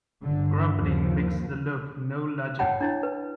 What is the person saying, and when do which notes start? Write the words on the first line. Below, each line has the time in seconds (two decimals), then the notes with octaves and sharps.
Grumbling makes the loaf no larger.
0.23 G1 D3
0.75 D#2 F3
2.59 C#5 F#5 G5 A5 B5
2.81 D4 E4 C#5
3.03 B4